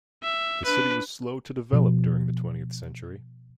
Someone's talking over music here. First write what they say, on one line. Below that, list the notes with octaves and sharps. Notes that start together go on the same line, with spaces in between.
The city was slow to develop during the twentieth century.
E5
D4 B4
B2 F3